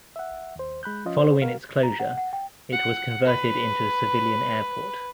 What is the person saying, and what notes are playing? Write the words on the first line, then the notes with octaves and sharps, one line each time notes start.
Following its closure, it was converted into a civilian airport.
E5 F#5
D#2 C5
G#3 B5 F#6 G6
F3 C#4 F4 D#5
C5
F#4 A#4 F5
A#5
F#5
F#5
G5
F#5
B4